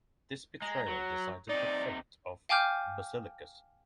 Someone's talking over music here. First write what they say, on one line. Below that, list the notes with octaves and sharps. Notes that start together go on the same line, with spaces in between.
This betrayal decided the fate of Basiliscus.
G#3 A#5
F#3
C3 D#4 D5
F5 G5 G#5 D6 F6 G6